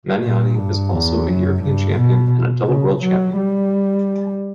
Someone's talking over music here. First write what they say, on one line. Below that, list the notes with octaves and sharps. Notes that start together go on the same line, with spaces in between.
Maniani is also a European champion and double world champion.
A#2
G2
E2
F#2
G2
B2
C#3
F#3
G3